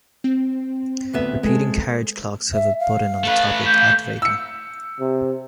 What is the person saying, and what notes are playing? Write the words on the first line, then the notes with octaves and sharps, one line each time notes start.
Repeating carriage clocks have a button on the top to activate them.
C4
D2 B3 E5
G#3 A4
E5
F5
A3 B4
G6
E6 C#7
C3